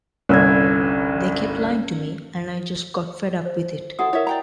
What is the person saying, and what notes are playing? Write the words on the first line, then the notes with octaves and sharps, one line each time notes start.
They kept lying to me... and I just got fed up with it.
G1 C2 G2 C#4 E6 G#6
C5
E4 F#4 A4 F#5 D#6
E4 A#4 C#5 E5
D5 G5 A#5